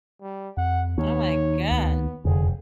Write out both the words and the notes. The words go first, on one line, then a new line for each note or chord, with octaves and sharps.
Oh, my god.
G3
F2 F#5
D#2 D#4 C#5
D2 B3
F1 F2 D3 G#4